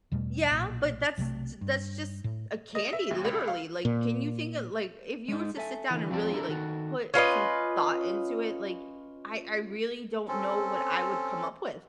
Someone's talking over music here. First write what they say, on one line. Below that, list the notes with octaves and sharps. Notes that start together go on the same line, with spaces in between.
Yeah. But, that's t that's just a candy, literally, like, can you think of like, if you were to sit down and really, like, put some thought into it, like, I I really don't know what I would come up with.
E2 B2 G3 A3
B1 A#2
B1 C3 F3 A3
G2
A2
D#5
E5
D#2
C#2
F5
A#2
G#3 D#4
A4 E5 G#5
D3 E3
F2 F3 G3 C4 D5 A5
D4 E4 A4 A#4
D#3 F#4 A4
C#4 F4 B4 D#5
C4 C#4 A4